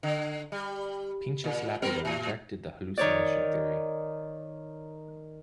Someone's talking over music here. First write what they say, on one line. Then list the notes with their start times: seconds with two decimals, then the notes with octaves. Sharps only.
Pinchas Lapide rejected the hallucination theory.
0.03 D3
0.52 G3
1.44 A#2
1.82 G3 B3 A#4
2.05 A2
2.98 D#3 C#5 D5